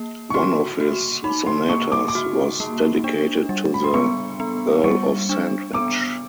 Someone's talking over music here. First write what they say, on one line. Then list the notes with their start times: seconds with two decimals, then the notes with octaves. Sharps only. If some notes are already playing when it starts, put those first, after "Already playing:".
One of his sonatas was dedicated to the Earl of Sandwich.
Already playing: A#3
0.30 C#6
0.34 F#4 C6
0.80 F#4
1.24 D#4 B5
1.47 C6
1.69 A#3 C#6
1.92 D6
2.08 D6
2.15 F#4
2.60 A#3
3.04 D4
3.49 G3
3.74 B5
3.84 C6
3.94 B3 C#6
4.40 B3
4.84 G3 C#6
5.29 D4
5.73 B3 D6